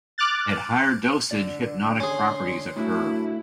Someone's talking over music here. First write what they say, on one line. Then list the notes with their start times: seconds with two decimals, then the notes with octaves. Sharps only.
At higher dosage hypnotic properties occur.
0.18 D6 F6 F#6 A6
1.31 D3 D5
2.00 C#4 G#4 C6
2.77 A2 A3 D4 E4 F#4